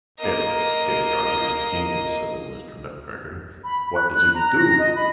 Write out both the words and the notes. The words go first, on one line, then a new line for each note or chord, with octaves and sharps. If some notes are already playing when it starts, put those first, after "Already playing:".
"Fiddlestick on his genius!" said old Mr. Nutcracker; "what does he DO?"
A#3 D#5
B5
F#6
F#6
A#5
A#6
D#5
B5